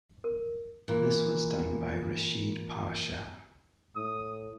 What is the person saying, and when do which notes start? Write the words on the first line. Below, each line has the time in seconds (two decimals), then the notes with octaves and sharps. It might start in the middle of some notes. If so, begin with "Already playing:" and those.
This was done by Reshid Pasha.
0.24 A#4
0.88 A#2 E3
3.96 A2 D#6